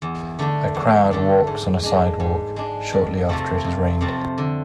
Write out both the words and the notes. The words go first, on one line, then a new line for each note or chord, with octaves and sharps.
A crowd walks on a sidewalk shortly after it has rained.
E2
D3 A3 D4
E2
D3 A3 D4
G#2
G#3 D4
G#2
G#3 D4
F2
C3 F3 A3 C4
F2
C3 F3 A3 C4
D3